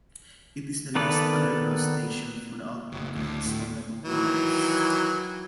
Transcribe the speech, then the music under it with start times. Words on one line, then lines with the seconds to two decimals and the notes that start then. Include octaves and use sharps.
It is the last underground station for outbound trains on both lines.
0.95 D#3 B3 A4 B4 D5
2.92 F#1
3.15 D2
3.46 A2
4.04 D#3 E3 F#3